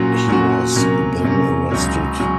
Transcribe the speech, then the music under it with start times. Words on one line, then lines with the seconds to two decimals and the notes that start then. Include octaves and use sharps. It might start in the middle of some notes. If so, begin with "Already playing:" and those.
He was then arrested.
Already playing: A#2 F#3 C#4 F#4
0.28 A#2 F#3 C#4 F#4
0.75 C3 F#3 A#3 C#4
1.23 C3 F#3 A#3 C#4
1.71 C#2 C#3 F#3 C#4
2.19 C#3 F#3 C#4